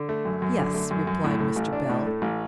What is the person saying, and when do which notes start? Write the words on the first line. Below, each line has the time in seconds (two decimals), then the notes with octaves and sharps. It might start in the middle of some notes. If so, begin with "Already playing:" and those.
'Yes,' replied Mr. Bell.
Already playing: D3
0.09 A3
0.25 F#2
0.42 F#2
0.58 D3
0.74 A3
0.91 F#2
1.07 F#2
1.24 A2
1.40 A3
1.56 A1
1.73 D4
1.89 A2
2.07 A3
2.22 A1